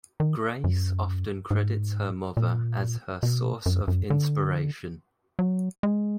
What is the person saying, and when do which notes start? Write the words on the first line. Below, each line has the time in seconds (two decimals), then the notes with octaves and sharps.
Grace often credits her mother as her source of inspiration.
0.20 D#3
0.64 F#2
1.51 G#2
2.37 A#2
3.23 B2
3.66 F#2
3.88 F#2
4.10 D3
5.39 F#3
5.83 G#3